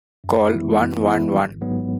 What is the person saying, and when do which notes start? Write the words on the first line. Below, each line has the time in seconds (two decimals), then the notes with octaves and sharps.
Call one one one.
0.24 F#2
0.51 E3 G#3 B3 E4
0.79 F#2
1.07 E3 G#3 B3 E4
1.34 G#1
1.61 G#2 F#3 B3